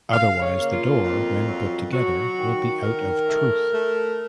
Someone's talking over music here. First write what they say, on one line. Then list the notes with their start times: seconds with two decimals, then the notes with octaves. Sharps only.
Otherwise the door, when put together, will be out of truth.
0.12 C#3 F5
0.42 C#5
0.57 A#3
0.72 F4
1.02 F2
1.47 F#3
1.92 F#3 F#4
2.37 D#3
2.82 D#3 A#4
3.27 A3
3.72 A3